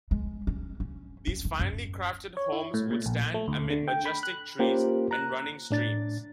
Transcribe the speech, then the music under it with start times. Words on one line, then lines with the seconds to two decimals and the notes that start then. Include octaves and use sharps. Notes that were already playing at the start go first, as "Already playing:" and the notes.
These finely crafted homes would stand amid majestic trees and running streams.
0.11 G#3
0.47 C#4
0.80 C#4
1.27 C#4
1.45 D2
1.59 F#2
2.37 C#5
2.52 E4
2.74 A2
2.91 A#2
3.06 A#1
3.34 A3
3.48 D2
3.70 D3
3.88 G5
4.05 B5
4.23 F#6
4.59 A#3 C#4 F4 G4 A#4 C5
5.11 A#5 F#6
5.71 A2 D4 A6